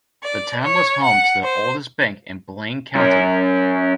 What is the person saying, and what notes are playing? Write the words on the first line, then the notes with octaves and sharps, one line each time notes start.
The town was home to the oldest bank in Blaine County.
D5
C#5
F#5
C5
F#2 C#4